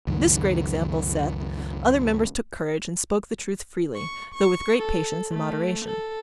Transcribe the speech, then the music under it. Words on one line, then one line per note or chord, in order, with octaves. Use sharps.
This great example set, other members took courage and spoke the truth freely, though with great patience and moderation.
C#2 F#2 D#3
C#6
C#6
A4
A3
A4